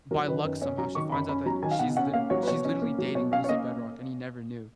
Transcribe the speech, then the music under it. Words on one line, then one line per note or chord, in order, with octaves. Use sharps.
by luck somehow, she finds out that she's li she's literally dating Lucy Bedroque and he never knew.
F#3 A#4
D#3 B4
F#2 B4
C#4 C#5
F#3 A#5
D#3 C#6
F#2 B5
C#4 B5
F#3 A#5
D#3 G#5
F5
B2 F#5
C#4 F#5
A#3 F5
F#3 C#5
B4
B2 C#5
C#4
A#3
F#3
B2 C#5
C#4 F5
C#5
A#3 D#5